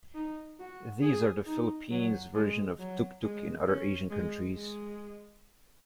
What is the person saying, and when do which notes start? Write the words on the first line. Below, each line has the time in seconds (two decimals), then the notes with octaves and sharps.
These are the Philippines' version of tuk-tuk in other Asian countries.
0.15 D#4
0.59 F#4
1.02 G#4
1.46 D#4
1.91 F#3
2.35 G#3
2.79 F#3
3.23 G#3
3.67 C#4
4.10 G#3
4.55 G#3